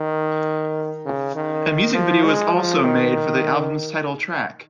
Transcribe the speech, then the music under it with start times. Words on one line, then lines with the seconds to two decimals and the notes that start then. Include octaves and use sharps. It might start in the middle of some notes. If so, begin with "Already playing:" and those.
A music video was also made for the album's title track.
Already playing: D#3
1.05 C#3
1.35 D#3
1.94 F3
2.24 G#3
2.54 F3
2.84 D#3